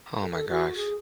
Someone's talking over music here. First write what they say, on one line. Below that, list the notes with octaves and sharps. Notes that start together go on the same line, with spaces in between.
Oh my gosh.
A4
F#4
G#4